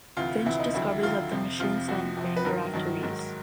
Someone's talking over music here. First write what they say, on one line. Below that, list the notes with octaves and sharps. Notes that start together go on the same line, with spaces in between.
Finch discovers that the Machine sent Granger after Reese.
D2 C3 E3 F4
D2 C3 E3 E4
D#4
D#2 D3 F#3 E4
D#2 D3 F#3 F4
F2 C3 F3
F2 C3 F3 F4
F2 C3 F3 F#4
F2 C3 F3
B4
G2 D#3 F#3 A#4
G2 D#3 F#3
G#2 D#3 F#3